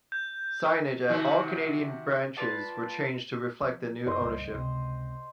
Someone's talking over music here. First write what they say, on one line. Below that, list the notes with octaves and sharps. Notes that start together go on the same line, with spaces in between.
Signage at all Canadian branches were changed to reflect the new ownership.
G6
C3 D#3 F#4
F4 B4 D5 A5
F3
F#1 C5 D#5
C#2 G2
C#2 C3